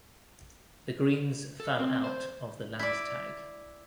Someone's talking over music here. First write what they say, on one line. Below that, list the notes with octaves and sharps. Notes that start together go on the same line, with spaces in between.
The Greens fell out of the Landtag.
A4
C4
C5
E4 D5